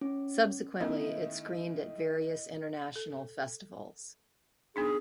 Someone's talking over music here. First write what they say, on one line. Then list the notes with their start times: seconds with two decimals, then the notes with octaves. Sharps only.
Subsequently, it screened at various international festivals.
0.01 C#4
0.80 D#3 A3 B3 C#4 D#4 E4 D#5
2.96 A4
4.76 B3 D4 D#4 G#4